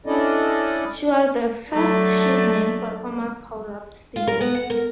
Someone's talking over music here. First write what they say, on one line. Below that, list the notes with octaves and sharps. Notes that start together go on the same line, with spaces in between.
She was the first ship named for Thomas Holdup Stevens.
C#4 D4 E4 A4 D5 D#5
F#3 A3 D4
F4
A#4
B3
F#5
A#4